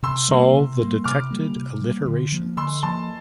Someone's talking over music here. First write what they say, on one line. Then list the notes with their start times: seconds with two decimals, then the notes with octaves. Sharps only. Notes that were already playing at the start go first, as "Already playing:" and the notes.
Solve the detected alterations.
0.03 C3 C6 E6
0.28 G3 A#3
0.54 C3
0.80 G3 A#3
1.04 C3 D6 F6
1.31 G3 A#3
1.56 C3
1.81 G3 A#3
2.06 D3
2.32 F3 A#3
2.57 D3 C6 E6
2.83 F3 A#3 A5 C6